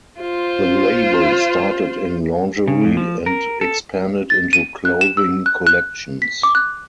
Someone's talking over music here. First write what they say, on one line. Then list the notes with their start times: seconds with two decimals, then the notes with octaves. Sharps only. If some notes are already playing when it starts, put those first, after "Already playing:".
The label started in lingerie and expanded into clothing collections.
0.20 F4 C5
2.68 C#3
2.85 F2
2.97 F3
3.26 A#4
3.61 A4
4.30 A6
4.53 D#7
4.85 F#6
5.01 E7
5.17 E6
5.46 F#6
5.67 F#6
6.22 B6
6.43 D6
6.55 F#6